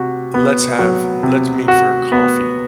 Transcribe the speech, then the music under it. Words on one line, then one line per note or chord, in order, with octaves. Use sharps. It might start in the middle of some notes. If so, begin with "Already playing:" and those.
"Let's have let's meet for a coffee."
Already playing: C3 F#4
B3
F#3
C3
F#4
B3